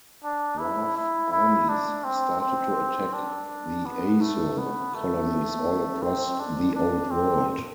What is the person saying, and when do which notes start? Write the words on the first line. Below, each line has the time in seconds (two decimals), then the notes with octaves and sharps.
Dwarf armies started to attack the Asur colonies all across the Old World.
0.24 D4
0.59 E4
0.96 E4
1.32 E4
1.69 D4
2.04 C4
2.41 C4
3.13 D4
3.86 B3
4.21 A3
4.58 B3
4.95 A3
6.02 C4
6.39 D4
6.75 D4
7.11 C4